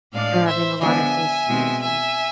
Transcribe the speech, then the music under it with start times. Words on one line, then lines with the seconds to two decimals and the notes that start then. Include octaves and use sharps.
they're having a lot of issues. And
0.12 A2 G#3 D4 D5 F5
0.46 C5 E5
0.80 D3 F3 G#3 B3 D4 E5 G#5
1.47 B2 G#3 C4
1.81 E5 G#5